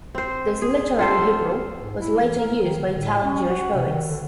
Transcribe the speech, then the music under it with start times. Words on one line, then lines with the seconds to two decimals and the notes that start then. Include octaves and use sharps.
This literary Hebrew was later used by Italian Jewish poets.
0.15 C4 C5
0.62 G#4
0.99 F4 A4 C5
1.80 G#2
2.00 E4
2.21 E3
2.37 A#4
2.63 D#3
2.79 D3
2.97 A2
3.24 C#4
3.49 F#4
3.74 C3
3.86 D#3
4.08 D3